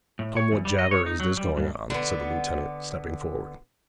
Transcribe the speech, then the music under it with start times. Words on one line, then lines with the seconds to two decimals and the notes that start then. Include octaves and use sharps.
'Come, what jabber is this going on?' said the lieutenant, stepping forward.
0.19 A2
0.37 C#5
0.52 E2
0.65 G3
0.79 D#5
0.91 C#5
1.06 D#4
1.20 F#3
1.37 G3
1.57 G2
1.90 D3 B3